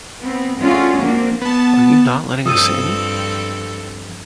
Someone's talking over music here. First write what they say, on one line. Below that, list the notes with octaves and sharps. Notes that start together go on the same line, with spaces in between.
Are you not letting us in?
B3 C4
A3 C#4 D4 F4 F#4 G#4
F3 A#3 C4 D4
B3 A5
G2 F3 C4 A4 D#6 E6 D#7